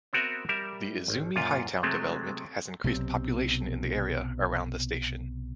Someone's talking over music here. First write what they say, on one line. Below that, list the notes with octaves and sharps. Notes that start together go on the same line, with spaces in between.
The Izumi Hightown development has increased population in the area around the station.
B3 C4 F#4 A#4 B4 E5
G3 A#4 E5
G#1
F#2 A#2 F4
C3 F#3 G#3 A3 C4
B1 C3 E3 C4